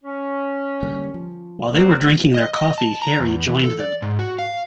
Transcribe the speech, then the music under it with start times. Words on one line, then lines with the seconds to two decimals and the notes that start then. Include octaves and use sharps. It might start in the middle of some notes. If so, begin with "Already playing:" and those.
While they were drinking their coffee Harry joined them.
0.04 C#4
0.83 D3 G3 A#3
1.14 F3
1.73 F#3 G3 A3 C4
2.34 D#5
2.56 D#5
2.78 A5
3.02 A#5
3.20 E2
3.48 E3
3.64 A4
3.80 D5
4.02 G#2
4.19 F#4
4.39 F5